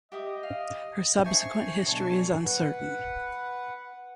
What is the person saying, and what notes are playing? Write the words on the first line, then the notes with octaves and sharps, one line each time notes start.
Her subsequent history is uncertain.
G4 D#5 E5 D#6
F5
D4 C5 E5 G#5 C#6 C7
B2 D3 F#3 D5 A5
B4 F#5